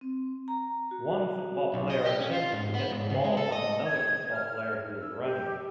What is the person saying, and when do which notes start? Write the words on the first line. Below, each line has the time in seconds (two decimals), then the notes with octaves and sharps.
One football player attempts to get the ball from another football player who is running.
0.01 C4
0.48 A#5
0.91 F#4
1.74 B1
1.90 D#5
2.05 G4
2.20 C#4
2.33 F4
2.53 G#2
2.74 B3
2.92 G#2
3.10 C#3
3.24 G#3
3.37 A4
3.52 D#5
3.87 G#6
4.31 F6
4.97 E6
5.23 G4